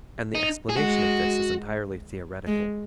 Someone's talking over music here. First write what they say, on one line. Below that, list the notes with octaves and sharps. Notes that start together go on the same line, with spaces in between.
And the explanation of this is entirely theoretical.
D#4
G#4
G#3 F#4
G#3